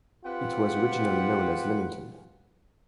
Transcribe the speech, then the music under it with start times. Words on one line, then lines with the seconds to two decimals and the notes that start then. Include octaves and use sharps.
It was originally known as Lymington.
0.25 C4 F4 G4 B4 F#5